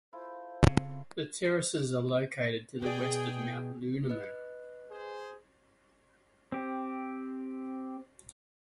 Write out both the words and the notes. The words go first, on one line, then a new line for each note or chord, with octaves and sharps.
The terraces are located to the West of Mount Lunaman.
E4 F4 A4 C5
C#3 C4
C4
B2 G#4 D5 G5
B4 D#5 F#6
G#4 C5
C4 G4